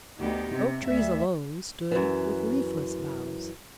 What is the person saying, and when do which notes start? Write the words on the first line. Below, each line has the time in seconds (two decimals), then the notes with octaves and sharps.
The Oak Trees alone stood with leafless boughs.
0.19 D2 B3 D#4 G4
0.54 C3
0.86 D2 E5
1.91 F#2 E3